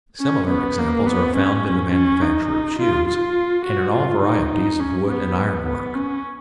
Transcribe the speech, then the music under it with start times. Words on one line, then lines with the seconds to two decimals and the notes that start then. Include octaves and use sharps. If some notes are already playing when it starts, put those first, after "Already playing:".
Similar examples are found in the manufacture of shoes, and in all varieties of wood- and iron-work.
0.21 C#4
0.50 B3
0.79 A#3
1.07 B3
1.37 C#4
1.94 C#4
2.22 D#4
2.79 F4
3.08 F4
3.65 F#4
3.95 F4
4.22 D#4
4.52 D#4
4.80 C#4
5.10 B3
5.67 B3
5.95 C#4